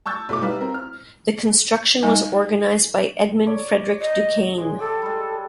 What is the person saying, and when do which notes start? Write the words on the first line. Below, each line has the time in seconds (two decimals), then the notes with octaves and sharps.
The construction was organised by Edmund Frederick Du Cane.
0.06 A5 C#6 E6 G6 A6
0.29 B1 A3 D6
0.42 G3 D#4 B4 F5
0.61 C4 A#4
0.74 F6
2.03 G3 D#4 D#5 G#5
3.47 C#5 D5
4.01 D#5
4.58 G#3 G#4
4.79 G4 A4
5.02 G3 G#3